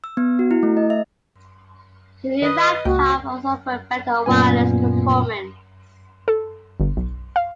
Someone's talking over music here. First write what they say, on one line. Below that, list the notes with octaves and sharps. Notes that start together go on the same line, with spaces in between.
The new laptop also offered better wireless performance.
E6
B3
F#4
E4
A3
D#5
E5
D#3 B4 D#5
C#2 A#3 F#4 G5
F#2 A#2 B3 G#5
A4
G1
B1
F5